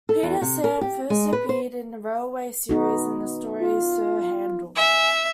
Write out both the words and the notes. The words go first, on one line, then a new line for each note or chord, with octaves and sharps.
Peter Sam first appeared in "The Railway Series" in the story "Sir Handel".
A4
E2
C3
A#4
G4
G#3
B4
C5
B3 D#4 F#4
F4
E5 G#5